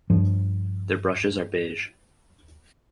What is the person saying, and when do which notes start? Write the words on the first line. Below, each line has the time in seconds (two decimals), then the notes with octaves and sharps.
Their brushes are beige.
0.10 G2 F3